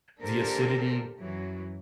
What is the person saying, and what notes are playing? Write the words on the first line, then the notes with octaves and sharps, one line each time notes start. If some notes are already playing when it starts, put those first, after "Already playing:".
the acidity
D3 A#3 G4 A4 A#4 C5
F#2 E3 F#3